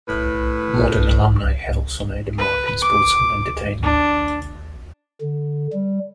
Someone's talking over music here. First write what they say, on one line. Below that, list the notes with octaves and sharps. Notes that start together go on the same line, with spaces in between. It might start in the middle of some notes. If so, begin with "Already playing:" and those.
Modern alumni have also made a mark in sports and entertainment.
A2 B4
B4
D6
D4
D3
G3